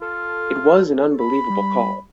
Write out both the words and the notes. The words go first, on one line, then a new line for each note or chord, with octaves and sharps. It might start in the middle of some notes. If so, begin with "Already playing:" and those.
It was an unbelievable call.
F4 A4
B5
G3